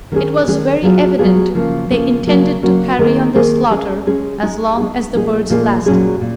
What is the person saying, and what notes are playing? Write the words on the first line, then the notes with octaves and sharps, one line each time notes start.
It was very evident they intended to carry on their slaughter as long as the birds lasted.
D#3 G#3 C#4 G#4
D#3 G#3 C#4 G#4
F#3 B3 F4 G#4
F#3 B3 F4 G#4
C#3 F3 A#3
C#3 F3 A#3
C#3 F#3 A#3 C#4 F#4
C#3 F#3 A#3 C#4 F#4
D#3 A#3 D#4 G#4
D#3 A#3 D#4 G#4
G#3 C#4 G#4
G#3 C#4 G#4
G#3 D#4 G#4
G#3 D#4 G#4
A#2 F3 A#3 D#4 G#4
A#2 F3 A#3 D#4 G#4
A#2 F#3 C#4 G#4
A#2